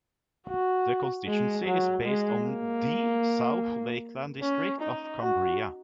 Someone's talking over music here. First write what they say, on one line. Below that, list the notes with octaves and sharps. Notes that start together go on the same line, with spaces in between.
The constituency is based on the South Lakeland district of Cumbria.
F#4
G#3
F#3
G#3
A#3
C#4
D#4
F#4